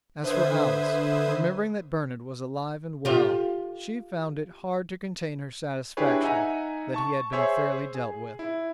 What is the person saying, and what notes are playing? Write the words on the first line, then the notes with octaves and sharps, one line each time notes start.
As for Alice, remembering that Bernard was alive and well, she found it hard to contain her satisfaction that he had been fairly dealt with.
D3 B4 C5 E5 D#6 G#6
F4 G4
D4 E4 G4 G#4 B4 C#5
D#4 E5 F#5 G#5 A#5
A5 C#6
G#4 C5 C#5 E5
G#4
E4